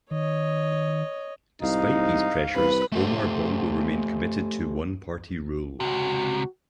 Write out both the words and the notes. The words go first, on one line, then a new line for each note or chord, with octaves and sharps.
Despite these pressures, Omar Bongo remained committed to one-party rule.
D#3 C#5 D#5
C2 G#2 D#4 F5
C2 B4
A3 G4 A4 C5
C#2 C3 F#4